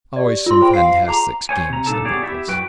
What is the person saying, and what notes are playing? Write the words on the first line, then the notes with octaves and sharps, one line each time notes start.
"Always some fantastic schemes," said Nicholas.
G4 D5
F4 C6
G#4 C5 G5 B5
F5 C7
G#4 A5 A#5 D6
C5 C#5 G#5
C3 A#5
G2 A#2 D3 D#4 A4 A5
B3 G4 G#4 C#5 D5
E4 G4 E5
F#2 F#4 B4 G5